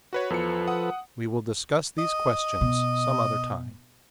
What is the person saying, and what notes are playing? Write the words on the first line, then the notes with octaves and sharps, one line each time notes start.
We will discuss these questions some other time.
F#4 B4 C#5
E2 F3 A4 B4 C#7
F#5 D#6
D#5
B2